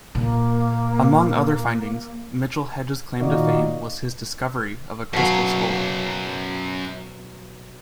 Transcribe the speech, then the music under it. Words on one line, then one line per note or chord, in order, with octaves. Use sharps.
Among other findings, Mitchell-Hedges' claim to fame was his "discovery" of a "crystal skull".
A#2 A#3
A#2 D#3 A#3 F#4 D5 D#5
F#2 B2 F#3 F5